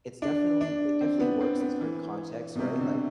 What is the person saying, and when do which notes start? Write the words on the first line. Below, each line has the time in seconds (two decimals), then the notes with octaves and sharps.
it's definitely it definitely works in certain contexts, right? Like,
0.22 D4
0.61 D4
1.01 C4
1.20 B3
1.41 C4
1.60 B3
1.81 E3
2.55 B2
2.59 C3
2.79 D3